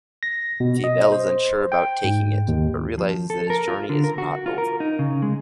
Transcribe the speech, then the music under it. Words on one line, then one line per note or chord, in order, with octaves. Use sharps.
Fievel is unsure about taking it, but realizes that his journey is not over.
A#6
B2
D#5
C5
G5
G#2
D#2
F3
A4
A#4
F4
D3
A#4
F#4
F4
A#4
D#4
C#3
G#3